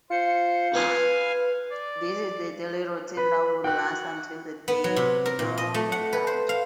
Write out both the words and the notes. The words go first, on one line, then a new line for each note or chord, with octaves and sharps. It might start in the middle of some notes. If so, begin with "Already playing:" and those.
This is the daily routine that would last until the day Nonoi died.
F4 C5 C#7
B4 F5 G#5
D5
B4 B5
F#4 G5 F#6
B3
F#3
C3
A#4
A#2
D#5
A3
F#5
B4
C5
F5